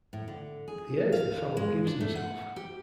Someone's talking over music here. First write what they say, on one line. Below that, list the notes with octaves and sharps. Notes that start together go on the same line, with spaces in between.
The airs the fellow gives himself!
A2
D3
G#4
F5
G#3
D4
A3
F#5
G4